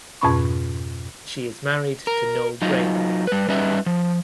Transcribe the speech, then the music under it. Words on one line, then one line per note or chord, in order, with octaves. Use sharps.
She is married to Noel Grehan.
F2 G#2 B2 C#4 B5 C#6
A#4
F#3 D#4 F4
G3 B4
G3 C#4 D#4 B4 E5
F3